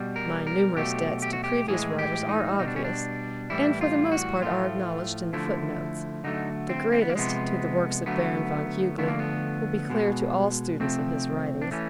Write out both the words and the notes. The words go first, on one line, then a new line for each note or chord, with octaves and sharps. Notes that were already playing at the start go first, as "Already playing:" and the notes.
My numerous debts to previous writers are obvious, and for the most part are acknowledged in the footnotes; the greatest, to the works of Baron Von Hugely, will be clear to all students of his writings.
Already playing: B2 G3
A#4
A#4
B2 F#3 A3 G4
G4
F#4
G4
A2 E3 G#3 G#4
G4
D#4
B2 G3 D#4
D4
C#4
D4
A2 E3 G3 E4
F4
F#4
A2 F3 A3 F4
D3 F3 A3 E4
D3 F#3 A3 D#4
C4
C4
B3
A#3
C3 F3 G#3 B3
D3 F#3 A3 B3
D3 F3 A3 B3
A#3
B3
B2 G#3
C3 F3 A3 C4
D4
E3 A3 C#4